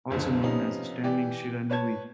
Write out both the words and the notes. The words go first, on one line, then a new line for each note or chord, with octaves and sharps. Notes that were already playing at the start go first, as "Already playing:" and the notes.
Also known as a standing "shiranui".
F#1 C#2 D3 F3
C3 F3 B3 C#4 D#4
E3 G4 D5
B4 C#5 A5 G#6